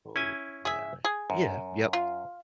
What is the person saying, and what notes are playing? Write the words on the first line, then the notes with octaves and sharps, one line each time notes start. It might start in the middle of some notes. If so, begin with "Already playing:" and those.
Oh yeah, yeah, yep,
C#4 E4 G#5
G#4 E5
G#4
F#2
F4